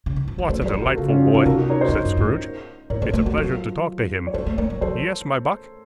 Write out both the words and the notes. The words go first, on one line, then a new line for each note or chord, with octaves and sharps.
'What a delightful boy!' said Scrooge. 'It's a pleasure to talk to him. Yes, my buck!'
C#3
D#3
F3
F#3
A3 A4 C5
F#3 A4 C5
F3
F#4 A#4
D#3
C#3 F4 A4
C#4 F4
D#4 F#4
C#3 F4 A4
C3 F#4 A#4
D#4 F#4
A#4 C#5
C5 D#5
F2
F#2
F#2
A2
A2 A#4 C#5
A#2 A4 C5
A3 A4 C5
A3 F#4 A#4
F#3 F4 A4
C#5
F#3 A4 C5
A3
A3 A#4 C#5
F#3
F#3 A4 C5